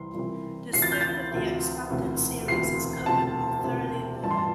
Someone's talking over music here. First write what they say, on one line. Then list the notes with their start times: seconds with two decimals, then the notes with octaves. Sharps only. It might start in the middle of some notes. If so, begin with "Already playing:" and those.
The scope of the expanded series is covered more thoroughly below.
Already playing: C2 C3 E3 C6
0.14 C2 C3 E3
0.73 D2 C3 E3 C7
0.82 A6
0.92 G6
1.01 A6
1.31 D2 C3 E3
1.90 E1 D2 C3 E3
2.48 E1 D2 C3 E3 C7
3.06 E1 D2 C3 A5
3.64 E1 D2 C3
4.23 A1 G2 E3 A5
4.31 C6
4.38 A5